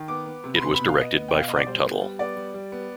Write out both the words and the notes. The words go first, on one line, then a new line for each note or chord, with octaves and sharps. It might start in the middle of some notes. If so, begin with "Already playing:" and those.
It was directed by Frank Tuttle.
Already playing: D#3
B3 D6
B3
C3
B5
B3 C6
B5
B2
F5
B3 D#5
B3
B2 G5
F5
B2 D#5
D5
G3 C5
B3
G3
B3 D5
G3
G3
B3